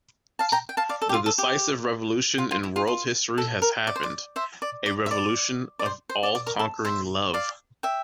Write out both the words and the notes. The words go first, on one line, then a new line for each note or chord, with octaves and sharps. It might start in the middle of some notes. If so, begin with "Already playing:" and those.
The decisive revolution in world history has happened - a revolution of all-conquering love.
F5 A5
G5 A#5
G5
F5 A5
D5 F5
A4
G4
F4
A4
G4
F4
F4
E4
F4
F4
A4
A#4
D5
C5
D5
C5 E5
D5
D5
E5
D5
D5
C5
C5
D5
D5
A#4
A4
C5 E5
D5 F5
E5 G5